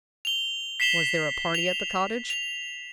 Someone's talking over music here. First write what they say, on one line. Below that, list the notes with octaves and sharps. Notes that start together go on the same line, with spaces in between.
"Was there a party at the cottage?"
F7 G7
B6 C7 E7 F7 G7
F7
F7